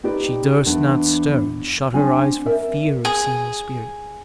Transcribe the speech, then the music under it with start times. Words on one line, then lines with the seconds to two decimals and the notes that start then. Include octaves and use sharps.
She durst not stir, and shut her eyes for fear of seeing a spirit.
0.03 C4 D#4 G4 B4 D5
0.66 E2 D4
1.94 C4 D4 G#5
2.46 A#4 D5 E5
3.05 G#4